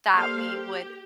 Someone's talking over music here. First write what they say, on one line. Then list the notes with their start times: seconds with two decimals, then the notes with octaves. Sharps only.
that we would
0.13 G3 A#3 G4 A4 C5 F5
0.44 G4